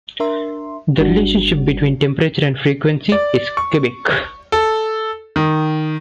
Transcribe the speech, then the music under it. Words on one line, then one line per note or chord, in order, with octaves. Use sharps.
The relationship between temperature and frequency is cubic.
D4 A#4 E5 C6
G1 G3 D4 F#4
D5
C#6
A4
D#3